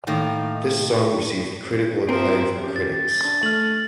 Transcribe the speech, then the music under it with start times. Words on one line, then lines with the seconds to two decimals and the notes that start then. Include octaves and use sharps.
This song received critical acclaim from critics.
0.07 A2 D#3 A#3 D#4
2.09 G2 F3 C4 A#4 E5
2.64 C#4 G4
2.76 A6
3.12 A6
3.25 D4
3.43 A3 F6 F#7